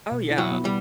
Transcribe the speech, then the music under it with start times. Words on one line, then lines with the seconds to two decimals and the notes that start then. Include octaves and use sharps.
Oh, yeah.
0.11 B2
0.31 E4
0.38 F#3
0.51 B3
0.65 G3